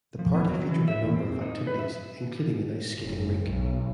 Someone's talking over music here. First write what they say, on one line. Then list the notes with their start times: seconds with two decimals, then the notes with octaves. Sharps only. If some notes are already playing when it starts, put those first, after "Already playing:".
The party featured a number of activities, including an ice skating rink.
0.19 F3
0.35 B3
0.49 F#3
0.69 E3
0.88 E5
1.03 E2
1.16 C4
1.41 D#4
1.67 B4
1.79 E5
2.99 F#1
3.47 B1